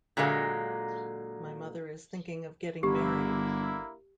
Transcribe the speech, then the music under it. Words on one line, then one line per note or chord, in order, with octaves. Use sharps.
My mother is thinking of getting married.
A#2 D3 F#3 G#3 A#3
G1 D3 A#3 E4 G4